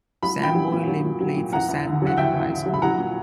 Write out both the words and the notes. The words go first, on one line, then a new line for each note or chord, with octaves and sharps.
Samboy Lim played for San Beda High School.
F#3 B5
A#2 G5 B5
F#3
A#2
F#3
A#2
F#3
A#2
E2 F#5 A#5
E2
D3
F#3 F#5
E2 E5 G5
E2
D3
F#3
B5
F#3 F#5 A#5
A#2